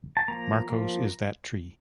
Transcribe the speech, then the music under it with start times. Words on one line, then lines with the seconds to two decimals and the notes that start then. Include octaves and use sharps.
Markos is that tree.
0.17 A5
0.28 F3 A#3 A#5
0.70 F3 A#3